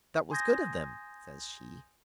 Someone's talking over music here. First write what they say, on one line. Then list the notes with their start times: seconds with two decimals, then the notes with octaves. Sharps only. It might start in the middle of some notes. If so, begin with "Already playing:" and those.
'That was good of them,' says she.
0.31 G#5 C6 D#6 G6 G#6 A#6